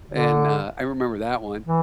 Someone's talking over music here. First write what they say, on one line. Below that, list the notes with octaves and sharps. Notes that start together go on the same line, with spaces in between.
and, uh, I remember that one,
D3
E3